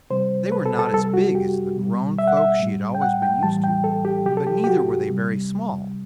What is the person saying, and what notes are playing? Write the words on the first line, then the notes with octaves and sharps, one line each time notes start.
They were not as big as the grown folk she had always been used to; but neither were they very small.
C3 G3 C5
B4
A4
A4
C3 G3 A4
F#4
G4
B2 G3
E5
F#5
E5
A2 G3
G5
F#5
G5
A2 E3 G3 A5
G5
A4
G4
C3 F#3 G4
A4
G4
G4
F#4
C3 G3